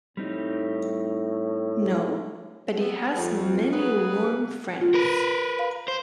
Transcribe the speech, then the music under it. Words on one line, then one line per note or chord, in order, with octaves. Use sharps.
No; but he has many warm friends.
A2 G3 C4 D#4
G3 B3 C4
F2
C#3 F#3 B3 G#4 A#4 B4
F4
A#4 B4
F5
C5